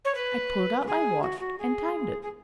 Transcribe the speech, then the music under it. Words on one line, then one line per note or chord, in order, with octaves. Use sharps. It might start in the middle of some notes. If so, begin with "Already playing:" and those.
I pulled out my watch and timed it.
C#5
B4
B4
G#4
F#4
F#4
G#4
G#4